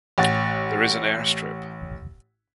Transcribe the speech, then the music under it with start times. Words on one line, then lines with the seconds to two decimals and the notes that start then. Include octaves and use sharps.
There is an air strip.
0.18 A1 C#5 F#5 A6